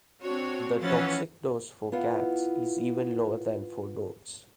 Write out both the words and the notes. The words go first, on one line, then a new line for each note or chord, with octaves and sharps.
The toxic dose for cats is even lower than for dogs.
C4 D4 F#4 C#5
E3 F3 C#4 F#5 A6
B3 E4 F4 F#5